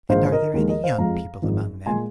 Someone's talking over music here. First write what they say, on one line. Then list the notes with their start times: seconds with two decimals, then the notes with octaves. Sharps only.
"And are there any young people among them?"
0.09 A#1 G#2 D#3 C5 F5
0.25 C5
0.32 A#4 D#5
0.54 D#2 D#3 G#3 A#4
0.68 A#4 D#5
0.84 C5 F5
0.98 F2 F3 G#3 F5 A#5
1.42 G#1 G#2 F3
1.86 A#2 G#3 G#5 C6